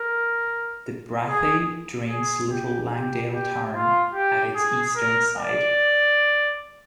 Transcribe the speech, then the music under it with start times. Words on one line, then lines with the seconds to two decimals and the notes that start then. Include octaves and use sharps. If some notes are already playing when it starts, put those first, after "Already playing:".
The Brathay drains Little Langdale Tarn at its eastern side.
Already playing: A#4
1.28 G#4
2.10 G#4
2.50 G4
2.92 G4
3.33 G4
3.73 F4
4.14 G4
4.55 G#4
4.96 A#4
5.37 D5